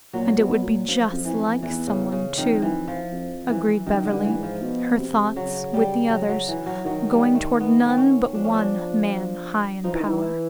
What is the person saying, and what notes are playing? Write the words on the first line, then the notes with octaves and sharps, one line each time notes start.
"And it would be just like someone, too," agreed Beverly, her thoughts, with the others', going toward none but one man "high in power."
A#2 F#3
B2
A#2
F#2 F3
F2
E3
F2
E2 E3
C#3
C#3
F2 D#3
E3
F3
F2
E3
F#2 D#3
D3
G2
E3
G#2
F3
B2
C3
C#3 F#3
G3
F#3
F#3
E3
F#3
D#3 F#3
G3
A3
B3
C4
C#4
F3 D4
C#4
D4
F3 D#4
E3
D#3
E3
E4